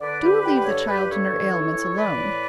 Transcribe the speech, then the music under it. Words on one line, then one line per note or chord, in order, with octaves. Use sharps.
"Do leave the child and her ailments alone!"
D3 B4 D5
D3 G4 B4
D3 G4 B4
B4
G2 A4 C#5
G2 G4 B4
G2 A4 C#5
E3
E3
E3
E3 B4 D5
A2